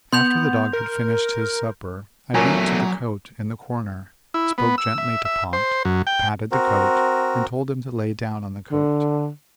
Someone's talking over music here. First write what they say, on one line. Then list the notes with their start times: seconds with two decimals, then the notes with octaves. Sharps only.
After the dog had finished his supper I went to the coat in the corner, spoke gently to Pont, patted the coat, and told him to lay down on the coat.
0.13 B3 C6 G6 F7
0.73 A#4
2.34 E2 A#2 F#3 A3 C#4
4.34 E4
4.58 B3
4.78 E6
4.98 E5
5.25 E5
5.53 C5
5.85 F#2
6.07 G5
6.51 C4 F#4 A#4
8.71 D3